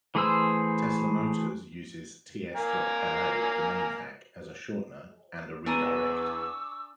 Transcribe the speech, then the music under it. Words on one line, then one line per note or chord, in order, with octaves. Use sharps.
Tesla Motors uses "ts.la" domain hack as a shortener and a redirect.
E3 A3 G#4 C5 E6
A#3 A#4 G#5
E2 B3 D4 G#5 A#5 C#6 D6 E6